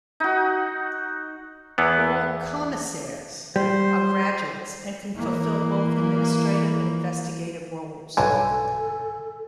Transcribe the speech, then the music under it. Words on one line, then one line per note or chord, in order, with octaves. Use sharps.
All "commissaires" are graduates and can fulfill both administrative and investigative roles.
D#4 F#4
E2 E3 B3
G3 C5
E3 A#3
B1 G2 D3 A4 G#5